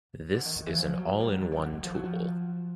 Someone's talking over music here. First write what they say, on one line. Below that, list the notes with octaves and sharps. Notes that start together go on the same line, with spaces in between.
This is an all-in-one tool.
C#3
D3
D#3
D#3
E3
F3
F#3
G3
F#3
D3
D#3
C#3
D3
D#3
F3
F#3
F3